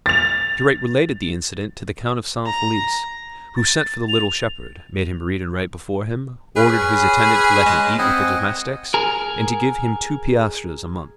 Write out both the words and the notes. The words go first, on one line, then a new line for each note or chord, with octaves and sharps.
The curate related the incident to the Count of San-Felice, who sent for the little shepherd, made him read and write before him, ordered his attendant to let him eat with the domestics, and to give him two piastres a month.
A6 F7
A#5
A6
F7
C#4 G#4 B4 B5
G#3
C4 D#5 F#5 G#5
G#4 A#4